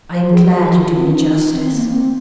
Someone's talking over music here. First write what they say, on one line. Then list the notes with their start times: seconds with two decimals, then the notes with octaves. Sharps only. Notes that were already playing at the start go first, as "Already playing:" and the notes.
I am glad you do me justice.'
0.12 C5
0.32 G#4
0.45 G#4
0.53 F#4
0.73 F4
0.97 C4
1.04 C#4
1.13 D#4
1.53 C4
1.73 A#3
1.85 A#3
1.93 C4